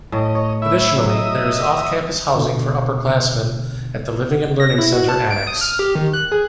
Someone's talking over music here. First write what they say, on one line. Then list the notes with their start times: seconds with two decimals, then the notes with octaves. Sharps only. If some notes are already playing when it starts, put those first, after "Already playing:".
Additionally, there is off-campus housing for upperclassmen at the Living and Learning Center Annex.
0.12 A2 D#5
0.35 C#5
0.62 E4 E5
0.96 F#3
1.09 D#5 E5 D#6
2.36 B2 D3
4.60 A#6
4.78 E4
4.93 F#4
5.09 A5
5.31 D7
5.47 D#6
5.61 F6
5.79 G4
5.95 D#3
6.13 F#6
6.32 G#4